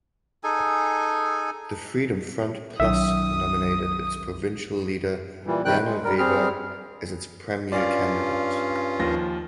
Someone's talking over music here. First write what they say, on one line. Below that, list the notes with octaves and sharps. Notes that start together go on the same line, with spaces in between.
The Freedom Front Plus nominated its provincial leader Werner Weber as its premier candidate.
D#4 G#4 A4 G#5
B1 F#2 D#3 E5 D#6
A#2 E3 G3
C3 D#3 G3 G5 F#6
G#3
G3 A#4
G3 C4 G#4 F6
G2 C#4 F4 D5 F5
D#2 F3 A#6